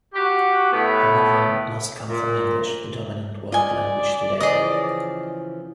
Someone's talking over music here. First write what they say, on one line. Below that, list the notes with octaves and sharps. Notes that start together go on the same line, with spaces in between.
However, most come from English, the dominant world language today.
F#4 G4
A2 B3
A#2
F4 D5 D#5 G#5
C#3 E3 F3 G#4 D#5